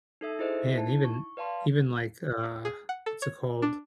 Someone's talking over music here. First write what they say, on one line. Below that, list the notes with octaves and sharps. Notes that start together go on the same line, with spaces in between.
Man, even even, like, uh what's it called?
D#4 A4 E5 E6
E4 G#4 C5 D#5 E5
D#4 E4 A5
C#6
B4 D5 F5 A5 C6
G#4
F#5
A4
C#5
D4